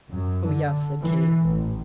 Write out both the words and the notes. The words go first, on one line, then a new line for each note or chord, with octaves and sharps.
"Oh, yes," said Kate.
F#2
D3
E3
A1